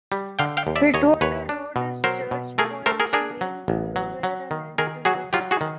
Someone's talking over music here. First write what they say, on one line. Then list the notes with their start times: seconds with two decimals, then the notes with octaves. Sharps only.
Pittwater Road is Church Point's main thoroughfare and ends in the suburb.
0.12 G3
0.39 D3 F5 G5
0.57 F5 G5
0.67 D#2
0.76 D5 E5
0.94 D#2 C#5 D#5
1.21 D#2 B4 C#5
1.49 D4
1.76 B2
2.04 F#3 A#4 C5
2.31 B2
2.58 A3 G#4 A#4
2.86 A3 A#4 C5
3.00 G#4 A#4
3.13 D4 G#4 A#4
3.41 F#3
3.68 A1
3.96 F#3
4.23 F#3
4.51 D#3
4.78 D#3 G#4 A#4
5.05 F#3 F#4 G#4
5.33 F#3 F4 G4
5.51 F#4 G#4
5.61 D#3